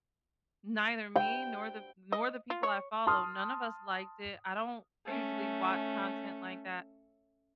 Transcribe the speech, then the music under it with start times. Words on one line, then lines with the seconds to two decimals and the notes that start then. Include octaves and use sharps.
neither me nor the nor the people I follow, none of us liked it, I don't, usually watch content like that,
1.16 G5
2.12 D#5
2.50 F4
2.63 C#5
3.07 A5 C6 D#6 F6
5.05 A3 C#4